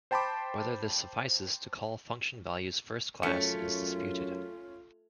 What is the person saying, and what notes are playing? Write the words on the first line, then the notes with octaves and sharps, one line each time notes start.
Whether this suffices to call function values first-class is disputed.
C5 G5 A5 B5 C6 D6
F#2 A3 C#4 F4 C#7